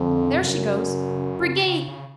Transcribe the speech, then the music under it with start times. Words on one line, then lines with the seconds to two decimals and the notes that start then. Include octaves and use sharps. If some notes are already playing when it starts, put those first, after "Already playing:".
There she goes. Brigade!
Already playing: F2 D3
0.32 B2
0.43 F#2 C#3
1.67 C#3
1.88 C#3